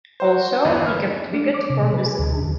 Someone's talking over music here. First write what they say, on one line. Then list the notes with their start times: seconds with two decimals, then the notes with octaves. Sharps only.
Also he kept wicket for the school.
0.20 F#4 C5
0.64 G1 E2 B4
0.86 F6
1.33 D4
1.54 D6
1.70 C3
1.82 B2
1.94 B4
2.06 G#4
2.19 D2
2.44 D#2